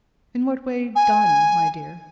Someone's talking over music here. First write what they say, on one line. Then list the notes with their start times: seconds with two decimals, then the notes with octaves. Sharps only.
"In what way 'done,' my dear?"
0.95 G#5